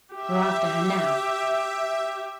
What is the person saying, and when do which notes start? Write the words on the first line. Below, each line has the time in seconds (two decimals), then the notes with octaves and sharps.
We're after her now.
0.15 G4 E5